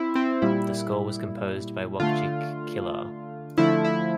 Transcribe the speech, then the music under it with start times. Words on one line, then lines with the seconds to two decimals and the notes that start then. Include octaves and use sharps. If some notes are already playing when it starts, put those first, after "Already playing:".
The score was composed by Wojciech Kilar.
Already playing: C4 E4
0.15 C4
0.42 A#2 G3 E4
2.00 D3 A3 F4
3.58 D3 F3 A3 E4
3.85 E4